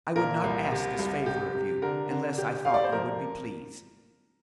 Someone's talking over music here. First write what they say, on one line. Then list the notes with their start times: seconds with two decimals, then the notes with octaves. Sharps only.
I would not ask this favour of you unless I thought you would be pleased.'
0.16 A#2 A#4
0.44 C2
0.72 C3
0.99 C2
1.26 C3 G4
1.55 C3
1.82 D3 A#4
2.10 D3
2.38 C3 G4
2.65 C3 F5
2.74 D5
2.84 C5
2.92 F2 A#4